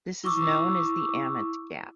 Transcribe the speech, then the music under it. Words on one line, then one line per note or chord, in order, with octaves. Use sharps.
This is known as the "amn't gap".
E4 C#6 D6 E6